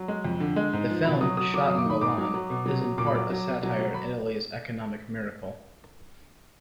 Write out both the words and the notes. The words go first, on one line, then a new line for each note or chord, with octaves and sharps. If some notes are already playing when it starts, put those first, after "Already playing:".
The film, shot in Milan, is in part a satire on Italy's economic miracle.
Already playing: F#3
G#3
F2
D3
G#3
G#2
F3
B2 B5
F#3 D#6
F#3 D#6
F#3 D6
D#6
F#2
D6
D#3 B5
G#2 D6
F#3
F#3
B2
F#3
F#3
A#2 D6
B5
F#3 D6
F#3
B2
F#3
F#3
B5